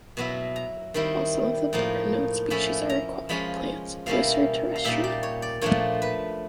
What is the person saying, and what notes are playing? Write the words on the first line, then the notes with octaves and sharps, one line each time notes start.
While some of the better-known species are aquatic plants, most are terrestrial.
B2 F#3 B3 E4
A#5
D#3 G3 C4 E4
A2 F3 A#3 D#4
F3 A3 C#4 E4 B5
A#5
F3 G#3 C#4 F4 B5
B2 G3 A#3 C#4 E4 F5
F5
A#2 G3 A#3 D#4 E5
D5
C#5
D5
A#2 F3 A3 D4 F4 C#5
B4